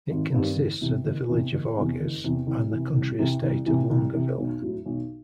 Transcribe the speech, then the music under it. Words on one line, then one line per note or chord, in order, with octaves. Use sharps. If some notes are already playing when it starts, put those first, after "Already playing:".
It consists of the village of Orges and the country estate of Longeville.
G#1
G2 D#3 G3 C4
F#1
E2 C3
F#1
E2 C3
F#1
E2 C3
F#1
E2 C3
C2
C3 E3
C2
C3 E3
C2
C3 E3
C2
C3 E3
B1
A2 F#3
B1